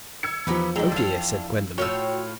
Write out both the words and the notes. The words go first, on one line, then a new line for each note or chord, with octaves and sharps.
"Oh dear!" said Gwendolen.
E6 G#6 C#7
E2 F3 D#4 G4 B4
G#3 C4 D4 D#4 A4 G5 A#5
E4 F5 E6
A2 F4 F#4 C#5 G5 E6